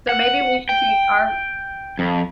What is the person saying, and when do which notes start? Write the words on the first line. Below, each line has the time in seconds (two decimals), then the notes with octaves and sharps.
So maybe we should take our
0.09 F#5
0.69 G5
1.99 F2